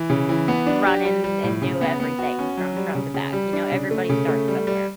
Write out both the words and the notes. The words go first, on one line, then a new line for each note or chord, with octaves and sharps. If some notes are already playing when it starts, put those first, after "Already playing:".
running and knew everything from front to back, you know? Everybody starts somewhere.
Already playing: E3
C#3
E3
B3
D4
G4
G3
G3
A2
C#3
B3
B3
F#4
C#4
F#3
G3
C#3
C#3
G3
D4
C#3
A3
C#3
A3
G3
G3